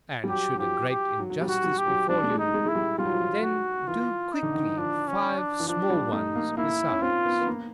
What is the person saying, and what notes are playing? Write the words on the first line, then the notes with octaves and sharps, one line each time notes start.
And should a great injustice befall you, then do quickly five small ones besides.
G3
F#3 G4
F#3
F3 G4
G4
F#3
F#3
G3
F#4
G3
G4
F#3
G3 D4
A3
G#3
D#4
G#3
G#3 E4
G3
G3 F4
F#3
F3
F#3
F#4
E3 F4
D#4
D3
D#3
E3
F3 D4
C#4
D4
E3
F3 D4
G3
A3 D#4
A#3
A#3 E4
C#4
C4 F4
B3
B3
A#3